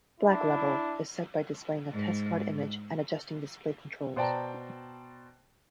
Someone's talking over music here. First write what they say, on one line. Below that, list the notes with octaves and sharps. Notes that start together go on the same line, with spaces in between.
Black level is set by displaying a testcard image and adjusting display controls.
D4 E4
G#2
B2 C5 D5 G5 A5 A#5